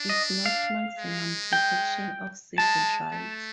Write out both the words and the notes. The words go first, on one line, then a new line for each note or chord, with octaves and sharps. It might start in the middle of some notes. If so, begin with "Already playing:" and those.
It’s not maximum protection of civil rights.
Already playing: D4
D#5
F5
G#3
G5
G#3 A5
A3